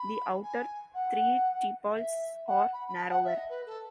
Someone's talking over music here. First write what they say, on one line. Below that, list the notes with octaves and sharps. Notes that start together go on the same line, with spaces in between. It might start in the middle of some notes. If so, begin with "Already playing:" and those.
The outer three tepals are narrower.
Already playing: B5
G#5
F#5
E5
F#5
B5
B5
A5
F#5
E5
D#5
B4
A4